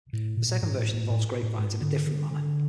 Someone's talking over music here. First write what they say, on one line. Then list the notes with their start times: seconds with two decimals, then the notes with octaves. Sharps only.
The second version involves grape vines in a different manner.
0.13 A2
0.37 A#2
0.62 G#2
0.78 A2
0.93 A2
1.10 A2
1.43 A2
1.58 G#2
1.82 D3
2.07 D3
2.31 D3